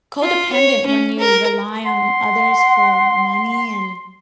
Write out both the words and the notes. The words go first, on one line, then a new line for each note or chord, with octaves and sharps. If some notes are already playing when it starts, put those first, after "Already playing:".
codependent when you rely on others for money and
F4
C#5
C#4
A#4
F#5 C6